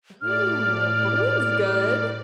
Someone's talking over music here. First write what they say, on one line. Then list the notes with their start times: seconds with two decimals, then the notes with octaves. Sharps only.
Oh, bowling's good,
0.21 A2 D5 F6